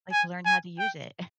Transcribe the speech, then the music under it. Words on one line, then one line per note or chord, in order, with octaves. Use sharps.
Like learn how to use it.
G#5
G#5
G5